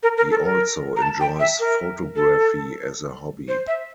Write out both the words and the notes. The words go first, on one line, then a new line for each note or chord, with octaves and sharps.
He also enjoys photography as a hobby.
A#4
A#4
A4
A#4
A#5
A5
G5
E5
A#4
A4
C5
E5